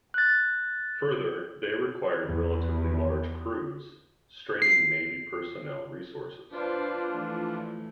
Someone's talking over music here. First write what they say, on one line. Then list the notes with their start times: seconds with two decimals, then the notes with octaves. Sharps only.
Further, they required relatively large crews, straining Navy personnel resources.
0.14 F#6 A6
2.26 E2
4.62 C7
6.52 D4 F4 B4 C5 D5
7.12 E3 F3 A3